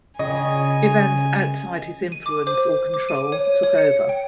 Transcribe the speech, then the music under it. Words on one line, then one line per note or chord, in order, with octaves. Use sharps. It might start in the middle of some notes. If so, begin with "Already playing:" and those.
Events outside his influence or control took over.
C#3 D#5 G#5
D#7
D6
C5
D6
D#7
C#5
C#5
C#7
G5